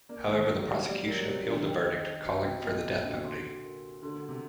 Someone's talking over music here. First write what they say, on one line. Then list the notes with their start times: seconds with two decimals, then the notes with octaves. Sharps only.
However, the prosecution appealed the verdict, calling for the death penalty.
0.09 A#3 D5
0.29 D#3 A#4
0.48 F#3 G4
0.68 G3 D4
0.88 G3 D5
1.07 F#3 A#4
1.27 C3 G4
1.47 D4
1.53 D#3
1.66 G5
1.87 D#5
2.06 C5
2.26 F#4
2.45 C3 G5
2.65 A#2 D#5
2.84 C3 C5
3.04 D3 F#4
3.24 C6
3.43 F#5
3.64 A#4
3.83 G4
4.03 D3 C6
4.22 F#5
4.29 C3